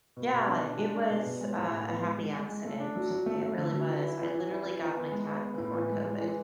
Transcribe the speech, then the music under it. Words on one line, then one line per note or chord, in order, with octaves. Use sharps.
Yeah, it was, uh, a happy accident, it really was. I literally got my cat before COVID,
B2
B2
D4
D4
G#3
D4
B2
B2
G#3
A2
A2
B3
G#3
G#3
G#3
G#3
A3
D4
F#3
F#3
A3
A3
D3
F#3
E3
E4
E3
E3
E4
E3
E3
B3
G#3
B3
B3
A2
E3
G#3
G#3
E3